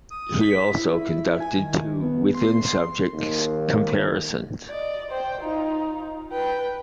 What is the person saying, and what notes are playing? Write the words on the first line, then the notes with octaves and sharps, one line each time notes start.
He also conducted two within subjects comparisons.
D#6
B6
E4
G#5
D#3
B3
C6
C6
D#2
D5 D#5
C5 G5
D#4 F4
B4 G5